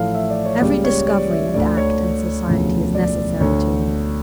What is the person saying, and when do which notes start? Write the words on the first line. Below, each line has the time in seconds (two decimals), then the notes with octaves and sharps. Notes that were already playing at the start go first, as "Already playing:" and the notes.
Every discovery and act in society is necessary to him.
Already playing: A1 A2 F3 A3 F5
0.15 E5
0.30 D5
0.46 C#5
0.61 C#2 C#3 G3 A#3 D5
0.84 C#5
1.08 D5
1.30 E5
1.54 D2 D3 A3 D5
1.77 C#5
2.47 E1 D2 C#3 F3
2.95 D5
3.40 D2 D3 A3 C#5